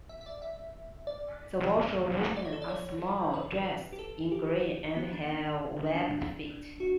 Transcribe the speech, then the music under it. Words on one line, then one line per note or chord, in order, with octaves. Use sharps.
The washerwomen are small, dressed in green and have webbed feet.
E5
E5
D5
E5
D5
D5
C#5
A4
D5
C#5
B4
G4
A4
G4
B3
D4
D4
F#4